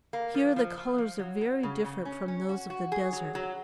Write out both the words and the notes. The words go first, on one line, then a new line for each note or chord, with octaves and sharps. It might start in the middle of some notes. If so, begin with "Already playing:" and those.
Here the colors are very different from those of the desert.
A#3
F3
F3
F3
F3
F#3
F#3
C#3
C#3
C#4
C#4
F#4
F#4
G#4
F#3
F#3